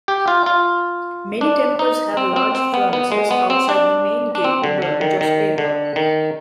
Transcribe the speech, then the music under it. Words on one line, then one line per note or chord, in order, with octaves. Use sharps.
Many temples have large furnaces outside the main gate to burn joss paper.
G4
F4
F4
D4
D#4
C4
C4
C4
B3
B3
G#3
B3
C4
D4
D4
C4
D3
D3
D#3
D#3
D3
D#3